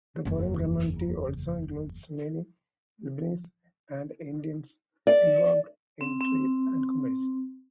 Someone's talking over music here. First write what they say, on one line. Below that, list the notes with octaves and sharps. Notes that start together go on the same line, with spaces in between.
The foreign community also includes many Lebanese and Indians involved in trade and commerce.
F#1 E2
D5
C4
C4